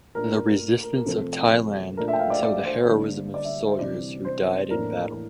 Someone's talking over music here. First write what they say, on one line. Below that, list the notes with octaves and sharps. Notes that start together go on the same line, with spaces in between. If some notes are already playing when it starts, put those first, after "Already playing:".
The resistance of Thailand until the heroism of soldiers who died in battle.
A#2 A3 D4 A#4
A#4
A#4
C3 F3 A3 C4 A4
A#2 A3 D4 A#4
E5
G5
F5
D5
D5
C5
D3 G3 A#3 D4
D5
E5
C5
C3 E3 G3 D4 D5
C5
A2 E3 A#3 D4 A#4